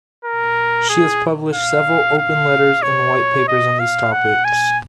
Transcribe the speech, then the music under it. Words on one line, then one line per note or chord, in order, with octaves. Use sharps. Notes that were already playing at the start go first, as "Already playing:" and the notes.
She has published several open letters and white papers on these topics.
A#4
G#4
F5
F5
C#5
D#5
F5
F#5
G#5